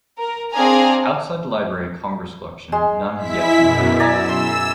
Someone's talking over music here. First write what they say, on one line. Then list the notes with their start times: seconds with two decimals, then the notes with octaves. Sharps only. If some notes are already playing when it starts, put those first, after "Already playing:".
Outside the Library of Congress collection, none has yet been found.
0.18 A#4
0.51 C4 D4 G#4 F5 G#5 A#5
2.72 G#3
3.18 E4 E5 B6
3.54 F#2 B2
4.00 D5 G#5 A#5 E6
4.29 C6